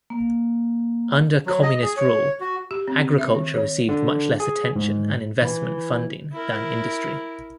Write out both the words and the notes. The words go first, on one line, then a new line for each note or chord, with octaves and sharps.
Under communist rule, agriculture received much less attention and investment funding than industry.
A#3
F#3
D#5
G#4
C#5
F#4
G4
C4
E5
D#3
C#5
D3
G#4
G#2
E3
E4 A#4